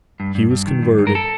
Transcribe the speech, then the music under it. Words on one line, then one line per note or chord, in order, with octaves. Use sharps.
He was converted.
G2
G2
G2
D#3
G2
G2
A#4
A4